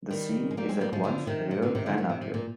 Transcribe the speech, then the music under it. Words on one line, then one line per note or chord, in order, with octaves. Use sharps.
The scene is at once real and unreal.
D#3 G3
G#3
G3 A#3
G#3 C4
G3 A#3
F3 G#3
D3 F3
C3 D#3
C3
A#2 D3
C3 D#3
D3 F3
C3 D#3
C3
C3
A#2